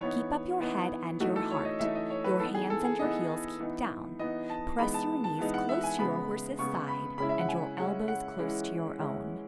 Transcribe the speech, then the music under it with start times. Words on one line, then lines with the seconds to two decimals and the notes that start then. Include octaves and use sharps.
Keep up your head and your heart, Your hands and your heels keep down, Press your knees close to your horse's side, And your elbows close to your own.
0.01 E3 B3 D#4 C#5
0.60 E3 B3 D#4
1.20 E3 A3 D#4 F#4
1.36 A4
1.51 C#5
1.65 D#5
1.79 E3 A3 D#4 E5
1.95 D#5
2.10 C#5
2.24 B4
2.39 E3 A4
2.43 B3 D#4
2.54 G#4
2.70 A4
2.84 G#4
2.99 E3 B3 D#4 D#5
3.60 E3 B3 D#4
4.19 E3 B3 D#4 D#5
4.50 A5
4.79 E3 G#3 B3 D#4 B5
4.94 A5
5.24 A5
5.38 E3 G#3 B3 D#4
5.54 F#5
5.69 E5
5.84 G#5
5.99 C#3 G#3 B3 B5
6.59 C#3 G#3 B3 C#6
6.88 B5
7.18 C#3 G#3 C#4 E4 B5
7.29 E5
7.40 F#5
7.48 G#5
7.78 C#3 G#3 C#4 E4 F#5
8.08 F#5
8.39 E3 G#3 C#4 E4
8.98 E3 G#3 C#4 E4